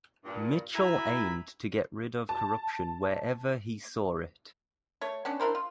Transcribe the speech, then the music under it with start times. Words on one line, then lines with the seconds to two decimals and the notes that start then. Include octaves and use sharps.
Mitchel aimed to get rid of corruption wherever he saw it.
0.24 G2 A#2
0.75 F#2 E4 E5 G#5 A#5 B5
2.29 A5
5.01 A3 C#5
5.25 B3 C#4 D4
5.40 D4 E4 A#4 C5
5.55 F4